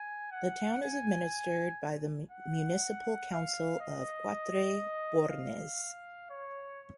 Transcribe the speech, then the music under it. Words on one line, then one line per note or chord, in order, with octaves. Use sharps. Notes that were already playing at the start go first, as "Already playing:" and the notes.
The town is administered by the Municipal Council of Quatre Bornes.
Already playing: G#5
F#5
G#5
F#5
F5
D#5
F5
C#5